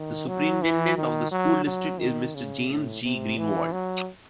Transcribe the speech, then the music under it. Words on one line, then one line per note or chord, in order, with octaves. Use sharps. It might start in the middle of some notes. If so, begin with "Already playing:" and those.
The superintendent of the school district is Mr. James J. Greenwald.
Already playing: D#3
F#3
E3
D#3
F#3
F#3
D#3
C#3
A2
C3
E3
F#3